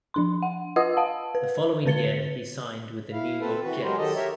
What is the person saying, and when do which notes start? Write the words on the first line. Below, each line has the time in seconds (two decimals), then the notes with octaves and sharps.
The following year, he signed with the New York Jets.
0.14 F3 D4 C6
0.43 F#5
0.76 F4 B4 D#5 F#5 D#6 E6
0.97 F5 F#5 A5
1.35 B4
1.86 D3 C4 B4 A6 C#7 G7
3.12 E4 F5
3.40 C4 A4 B4
3.64 E3 F#4 B4
3.83 F#3 G#3 G4 A#4 C5
3.98 D#3 F#3 G4 A4 D#5
4.16 G4 A#4 C#5 E5